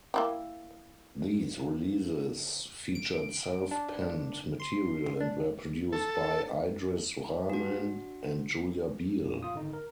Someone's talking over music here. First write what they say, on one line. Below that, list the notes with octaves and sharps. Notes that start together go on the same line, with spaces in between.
These releases featured self-penned material and were produced by Idris Rahman and Julia Biel.
A#3 E4 G4
D7
D4
C6
D4
A4
D4 F#4
F2 A#2
F4 D#6
G#1 D3 D#4
A#4